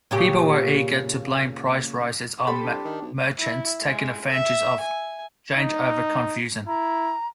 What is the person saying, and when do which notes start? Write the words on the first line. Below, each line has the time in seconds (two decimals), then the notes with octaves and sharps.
People were eager to blame price rises on merchants taking advantage of changeover confusion.
0.11 A#2 C#3 G4
2.47 G4 A4 C5 B5
2.63 C2 D4
2.85 D#3
3.02 B1
3.38 E4
3.82 G#3
4.30 E5
4.81 G#5
5.56 D#4
6.67 E4 A#5